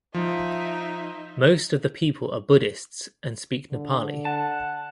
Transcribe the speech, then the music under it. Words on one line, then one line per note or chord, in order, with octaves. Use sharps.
Most of the people are Buddhists and speak Nepali.
F3 D#4 E5
D3
F#5 A5